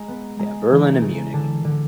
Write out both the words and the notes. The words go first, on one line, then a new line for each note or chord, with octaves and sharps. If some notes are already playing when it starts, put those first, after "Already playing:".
Yeah, Berlin and Munich.
Already playing: G#3 A#5
B3
G#3 A#5
E3
A#5
C#3
D3 A5
D3